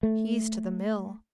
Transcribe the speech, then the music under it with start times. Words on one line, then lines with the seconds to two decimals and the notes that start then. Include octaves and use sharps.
"He's to the mill."
0.03 A3